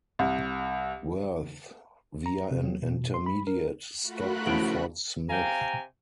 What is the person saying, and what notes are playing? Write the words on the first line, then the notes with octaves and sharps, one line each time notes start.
Worth via an intermediate stop in Fort Smith.
C2
A#5
C3
F#3
B2
C6
B5
A#4
A3 F4 F#4 A#4 B5 F#6
C#3 F3 E4 D7 F#7
C3 F5 G5 G#5 A#5